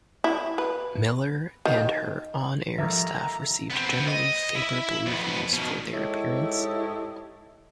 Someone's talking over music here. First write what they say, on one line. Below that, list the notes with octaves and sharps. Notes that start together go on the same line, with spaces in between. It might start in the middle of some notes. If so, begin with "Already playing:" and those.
Miller and her on-air staff received generally favorable reviews for their appearance.
E4
B4
D#3
G#2 D#3 F3 G3 A#3 A4 E5 A#5
B3 C4
D#5
E4 E5
F2 B3
B2 D#3
G#2 E4 G4 A4 C#5 D#5